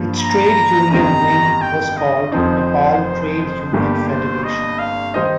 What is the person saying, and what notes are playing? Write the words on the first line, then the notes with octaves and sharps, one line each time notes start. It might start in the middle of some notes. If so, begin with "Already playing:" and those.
Its trade union wing was called Nepal Trade Union Federation.
Already playing: G2 F3 A#3
A#5
G1 F2 D#3 G3 A#5
G5
D#5
F1 F2 F3 C4 D#4 C5
G1 G2 G3 A#3 G4
C5
D#5
F5
D#3 G3 D#4 C5 D#5